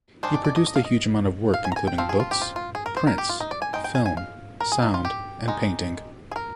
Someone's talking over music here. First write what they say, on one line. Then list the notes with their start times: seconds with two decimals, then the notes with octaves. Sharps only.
He produced a huge amount of work including books, prints, film, sound, and painting.
0.23 D#3 G#3 D4 C5
0.34 D5
0.45 D5
0.56 D#5
0.67 D#5
0.76 F5
0.85 D#5
1.54 F5
1.65 G#5
1.72 A#5
1.76 G#5
1.87 G5
1.98 F3 C4 F5
2.09 G#4
2.20 F4
2.31 G4
2.42 F4
2.56 F4
2.75 G#4
2.86 A#4
2.97 C5
3.07 A#4
3.18 G4
3.29 F4
3.40 D#4
3.51 D5
3.62 G#5
3.73 G#3 D#4 G5
3.84 G5
3.95 G#5
4.06 G#5
4.17 F5
4.60 A#4
4.72 G#4
4.82 D#4
4.94 F4
5.05 G4
5.48 G#3 D#4
6.31 G#4
6.36 A#4